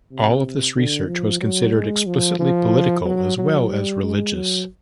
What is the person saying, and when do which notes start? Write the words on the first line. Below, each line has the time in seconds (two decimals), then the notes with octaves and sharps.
All of this research was considered explicitly political as well as religious.
0.11 C3
0.76 D3
1.08 F3
1.41 F#3
1.74 G#3
2.06 F3
2.39 F3
3.05 F#3
3.37 F#3
3.70 G3
4.03 G#3
4.35 F#3